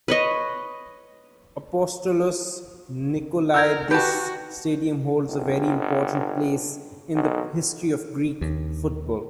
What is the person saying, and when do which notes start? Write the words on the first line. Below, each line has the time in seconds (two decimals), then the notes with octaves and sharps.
Apostolos Nikolaidis Stadium holds a very important place in the history of Greek football.
0.08 B4 C#5 D#5
3.54 A#4 E6 G6 G#6
3.91 F#4 G4 B4 A5
5.29 G1
7.15 B1
8.41 D#2